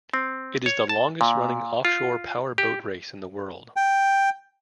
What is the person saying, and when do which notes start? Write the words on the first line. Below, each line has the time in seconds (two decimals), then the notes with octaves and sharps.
It is the longest-running offshore powerboat race in the world.
0.14 C4
0.66 C#5
0.89 A5
1.21 A#2
1.85 F4
2.58 G4
3.76 G5